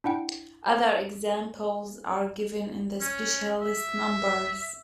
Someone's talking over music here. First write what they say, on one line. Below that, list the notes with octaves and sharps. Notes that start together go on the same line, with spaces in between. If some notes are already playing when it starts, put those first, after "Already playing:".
Other examples are given in the Specialist Numbers.
D4 E4 F#5 G5
C#4
E5